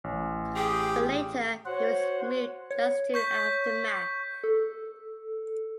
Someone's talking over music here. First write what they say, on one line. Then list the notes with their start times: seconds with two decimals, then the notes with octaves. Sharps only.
But later he was moved just to Aftermath.
0.04 A1
0.56 G4 G#4
1.66 F#4 C5 C#5 F#5
2.71 C#5
3.14 C#6 G6 B6
4.44 A4